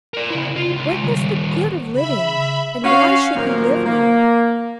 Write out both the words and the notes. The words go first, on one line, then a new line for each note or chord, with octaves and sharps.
What was the good of living, and why should he live now?
A#4 D5
C#3 E4
F4
C#2
D#3 G3
C#3 E5 B5
C#4 F#4 F5
A#2 D#3 F3 F#3 A#4
A#3